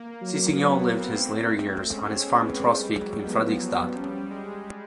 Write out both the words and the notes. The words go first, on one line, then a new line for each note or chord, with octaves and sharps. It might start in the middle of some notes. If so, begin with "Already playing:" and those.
Cicignon lived his later years on his farm Trosvik in Fredrikstad.
Already playing: A#3
F#3
F#3 B3
C4
A3
G#3 C#4
B3
G3
F#3
F3 B3
F#3
G3 C#4
G#3